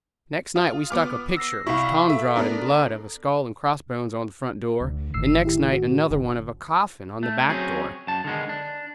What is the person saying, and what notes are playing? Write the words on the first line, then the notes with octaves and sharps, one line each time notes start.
Next night we stuck a picture, which Tom drawed in blood, of a skull and crossbones on the front door; and next night another one of a coffin on the back door.
F4 D#6
B3 D6 F6
E6 A#6 C7
C2 E4 F5 B5 C#6
A4 E5
B3 D4 A#4
D2 D3
G1 A2 D#3 E6 C7
E4 G4
F#4
F#1 D3
A3
F#3 C4 C#4 G#4
F#2 A5
D3 D#3 G#3 B3
D4